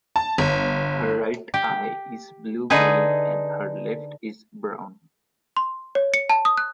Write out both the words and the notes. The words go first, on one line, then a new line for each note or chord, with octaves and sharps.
Her right eye is blue-green and her left is brown.
A5
G1
G4
D3 D#4 G#4 B4
C6
C#5
C#7
A5
D#6
F#6